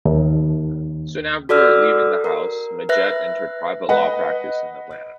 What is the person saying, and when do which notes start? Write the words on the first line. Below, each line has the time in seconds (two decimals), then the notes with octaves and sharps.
Soon after leaving the House, Majette entered private law practice in Atlanta.
0.05 D#2
1.49 F#4 A4 D5 E6 F6
2.24 A#4
2.89 B4 E5 F#6 A#6
3.89 B4 D#5 F#5